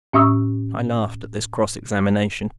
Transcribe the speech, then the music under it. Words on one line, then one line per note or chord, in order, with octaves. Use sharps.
I laughed at this cross-examination.
A2 C#4 E5 C#6 D#6 E6